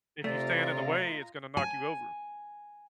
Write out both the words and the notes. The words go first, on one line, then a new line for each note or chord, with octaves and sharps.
if you stand in the way, it's gonna knock you over.
C3 A3 F4 D5 D#5 A#5
G#5